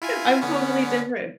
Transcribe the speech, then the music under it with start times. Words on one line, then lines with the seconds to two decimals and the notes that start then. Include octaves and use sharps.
I'm totally different.
0.02 E4 F4 G#5
0.41 D3 B3 C#4